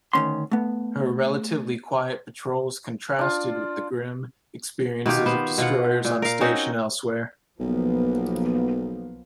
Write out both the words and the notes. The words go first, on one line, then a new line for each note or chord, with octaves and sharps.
Her relatively quiet patrols contrasted with the grim experiences of destroyers on station elsewhere.
D2 D#3 C#4 C6
A3 B3
D4 F4
B2 D#3 F4 G4
B3 C5
B2 F4 F#5
A#2
A#4 F5
C4 C#4 D#4 F#4
B1 F3 A#3 B3